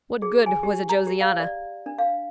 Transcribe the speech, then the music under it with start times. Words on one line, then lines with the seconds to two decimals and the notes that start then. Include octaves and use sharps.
What good was a Josiana?
0.22 G#4
0.46 G#5
0.63 G4
0.89 A#5
1.07 G4
1.20 F5
1.40 D5
1.86 D4
1.98 F5